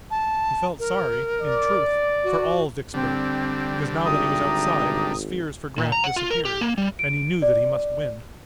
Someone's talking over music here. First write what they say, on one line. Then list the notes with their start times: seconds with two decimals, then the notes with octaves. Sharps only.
He felt sorry, in truth, for all Vicksburg, because now that he was outside his fears for Grant disappeared, and he knew that he must win.
0.11 A5
0.79 A#4
1.41 D5
2.24 F#4
2.94 D3 G3 C4
4.05 G#1 E5 G5 A#5 D#6
5.78 A#2
5.92 A#5
6.04 F#5
6.16 F4
6.30 A#4
6.45 G4
6.61 A#3
6.78 G3
6.99 D7
7.42 D5